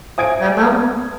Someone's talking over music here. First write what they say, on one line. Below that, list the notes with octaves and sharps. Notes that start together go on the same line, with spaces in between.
my mom,
C5 E5 G#5 D#6 G#6 D7